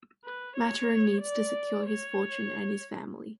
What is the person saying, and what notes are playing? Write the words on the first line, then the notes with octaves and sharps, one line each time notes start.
Maturin needs to secure his fortune and his family.
B4
C#5
D5
C#5